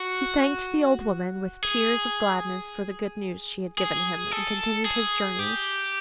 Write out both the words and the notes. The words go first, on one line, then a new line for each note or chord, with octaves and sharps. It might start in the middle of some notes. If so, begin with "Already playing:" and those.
He thanked the old woman with tears of gladness for the good news she had given him, and continued his journey.
Already playing: F#4
G#4
G#4
A4
G#4
G4